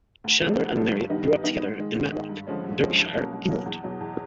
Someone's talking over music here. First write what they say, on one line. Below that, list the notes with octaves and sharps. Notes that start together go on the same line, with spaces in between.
Chandler and Marriott grew up together in Matlock, Derbyshire, England.
D2
C3 F3 A3
D2
C3 F3 A3
G2
D#3 G3 B3 D#4
G2
D#3 G3 B3 D#4
G#2
D#3 G#3
G#2
D#3 G#3
G2
D3 F3 G#3 C#4
G2
D3 F3 G#3 C#4
C2
B2 F#3 A#3 C#4
C2
B2 F#3 A#3 C#4
E2
B2 F#3
E2